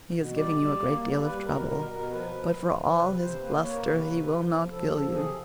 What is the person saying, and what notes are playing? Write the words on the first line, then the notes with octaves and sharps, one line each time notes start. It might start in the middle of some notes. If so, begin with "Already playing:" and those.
He is giving you a great deal of trouble, but for all his bluster he will not kill you.
B2
G3 D5
G3
A#3
G3
G3 B4
B2 A#4
B2 A#4
B2 A#4
F3 B4
F3
F3
F3
C3 B4
C3 C5
A#3 B4
A#3 C#5
A#4
C3 B4
C3
F3
F3
F3 A4
F3 A4
C3 G#4